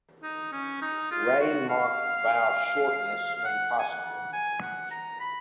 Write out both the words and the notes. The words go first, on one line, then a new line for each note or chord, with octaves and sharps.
Ray marked vowel shortness when possible.
D#4
C#4
D#4
F4
F#4
F5
F#5
G#5
F#5
G#5
F#5
A#5
B5